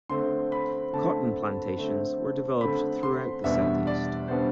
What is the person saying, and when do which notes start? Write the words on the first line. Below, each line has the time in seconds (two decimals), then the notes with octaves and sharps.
Cotton plantations were developed throughout the Southeast.
0.10 D3 A3 C4 C6
0.52 B5
0.93 D3 A3 C4 A5
1.77 D3 A3 C4
2.61 D3 A3 C4 B5
3.03 C6
3.44 E2 B2 G3 B3 D4 E5
3.87 D5
4.28 B2 G3 B3 D4 C5